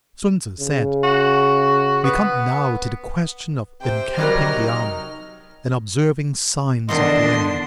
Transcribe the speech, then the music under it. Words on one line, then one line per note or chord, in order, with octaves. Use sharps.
Sun Tzu said: We come now to the question of encamping the army, and observing signs of the enemy.
C#3
F#4
B3
C3 G4 C5 G5
C3 F#3 G3 A#4 D#5 F6
D#4
E2 B2 D3 D#3 D4 D#5 C6